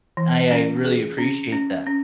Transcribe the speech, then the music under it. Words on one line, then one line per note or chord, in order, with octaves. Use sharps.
I I really appreciate that.
E3
C#4
G#4
C#4
C#4
C#4